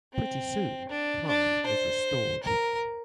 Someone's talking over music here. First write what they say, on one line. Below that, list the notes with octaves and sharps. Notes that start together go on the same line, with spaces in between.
Pretty soon, calm is restored.
C4
D4
D4
C5
A#4